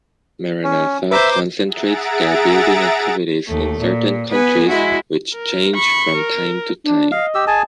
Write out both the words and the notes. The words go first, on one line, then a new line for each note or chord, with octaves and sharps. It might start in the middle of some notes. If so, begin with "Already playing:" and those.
Maranatha concentrates their building activities in certain countries which change from time to time.
C#4
B4 C5 E5 A#5 D6
G#4 E5 F#5 A#5 A6 D7
D#2 A3
A#2
B3 B4 G#5
G#3 E4 F#4
A#4
B5 C#6
A#4
D4
D#5 F5
G4 E6
G#4 G#5 A5